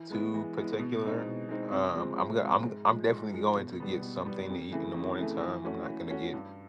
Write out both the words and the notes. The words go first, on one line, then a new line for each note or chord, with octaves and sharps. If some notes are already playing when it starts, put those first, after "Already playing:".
too particular. Um, I'm g I'm I'm definitely going to get something to eat in the morning time, I'm not gonna get
Already playing: E3
G#3 B3 E4
E3
G#3 B3 E4
B2
G#3 C4 D#4
B2
G#3 C4 D#4
C3
F3 G#3 C4
C3
F3 G#3 C4
G#2
F3 G#3
G#2
F3 G#3
B2
G3 B3
B2
G3 B3
F2
C#3 E3 A3
F2
C#3 E3 A3
E3
A3 C#4 F#4
E3
A3 C#4 F#4
G2